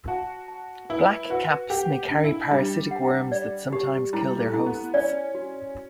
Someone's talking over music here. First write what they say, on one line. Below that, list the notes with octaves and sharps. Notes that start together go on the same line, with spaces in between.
Blackcaps may carry parasitic worms that sometimes kill their hosts.
F#4 A5
A5
E4 B4
F#4 B4
G4 F#5
D4
E4
G3 D4
F#5
D5
G4
G3 E4
A3
E4
B3
C#4 D5
F#4